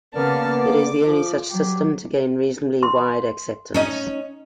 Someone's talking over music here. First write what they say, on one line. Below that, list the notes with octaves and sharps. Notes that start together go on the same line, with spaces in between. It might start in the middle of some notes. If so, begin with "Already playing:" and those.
It is the only such system to gain reasonably wide acceptance.
C#3 A#3 B3 D5 A5 F6
D6
F3
F#3 G4
C6
C#4 D#4 D#5